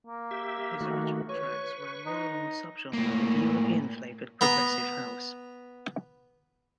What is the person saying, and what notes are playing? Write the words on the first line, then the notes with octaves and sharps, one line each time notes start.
His original tracks ran more along the subgenre of European-flavoured progressive house.
A#3
G4 E5
D#3 A3 F#4
B4 C#5 C#6
D#4
A2 A#3
B3 A#5